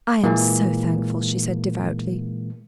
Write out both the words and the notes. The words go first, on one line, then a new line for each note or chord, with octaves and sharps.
"I am so thankful," she said devoutly.
A#2 E3 G#3 A#3